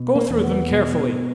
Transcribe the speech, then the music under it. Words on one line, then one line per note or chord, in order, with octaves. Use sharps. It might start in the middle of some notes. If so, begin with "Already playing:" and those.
Go through them carefully.
Already playing: B2
A#3
E2
B3
B2